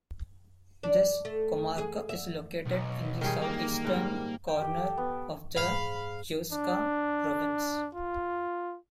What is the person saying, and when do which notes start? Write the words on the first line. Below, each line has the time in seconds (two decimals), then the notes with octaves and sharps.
This comarca is located in the southeastern corner of the Huesca province.
0.83 D4
1.25 A3
1.78 G#4
2.09 E5
2.65 B1
3.21 D#3 G3 G#4
3.41 A#3
3.85 G#2 G3
4.48 G5
4.62 G4
4.77 A4
4.97 B3
5.56 G#2 F5 B5
6.53 D4
7.95 F4